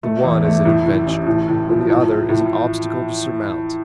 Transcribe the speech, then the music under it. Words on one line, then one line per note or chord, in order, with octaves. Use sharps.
The one is an adventure, and the other is an obstacle to surmount.
A3
E2
A3
A2
A2
A1
A2
A2
F3
A2
A2
A2